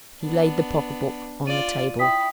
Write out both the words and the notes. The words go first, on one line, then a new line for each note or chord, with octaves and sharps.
He laid the pocket-book on the table.
B3 D4
F4 D5 D#7
E4 G5 D#6 B6